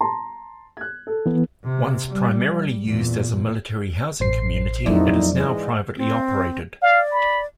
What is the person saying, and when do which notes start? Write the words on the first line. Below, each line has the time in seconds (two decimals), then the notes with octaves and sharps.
Once primarily used as a military housing community, it is now privately operated.
0.01 A5 A#5 C6
0.77 F#6 G#6
1.07 A4
1.26 E3 B3
1.64 C3
2.09 G3
2.86 E2 A#2
4.20 A1 C5 C7
4.86 A#1 F2 F#3 D#4 E4 D5
5.36 G#2 E3 G#3 D#5
5.97 C4
6.82 D5 F5
7.12 B5